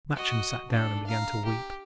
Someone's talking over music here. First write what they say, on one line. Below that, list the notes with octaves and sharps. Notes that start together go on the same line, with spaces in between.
Matcham sat down and began to weep.
F#4 D#5
D4 A4
F5 A#5
G4